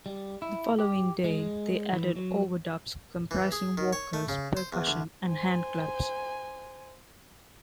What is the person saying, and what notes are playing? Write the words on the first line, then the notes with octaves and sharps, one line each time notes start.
The following day, they added overdubs, comprising vocals, percussion and handclaps.
G3
E4
G4
G#3
E3
F#3
E3
G#4
D#3
C#5
A3
C#3
C5
E2
D2
C5 G#5